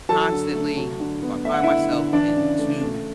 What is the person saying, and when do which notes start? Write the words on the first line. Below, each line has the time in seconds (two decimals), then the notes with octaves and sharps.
constantly, if I find myself in too
0.09 F#3 A4 A5
0.32 D3
0.55 A3
0.77 F#3
1.00 D3
1.22 B3
1.45 A3 E5
1.54 F#5
1.63 D3 E4 E5
1.91 D3
2.13 E3 D4 D5
2.36 C#3
2.58 A3
2.82 A3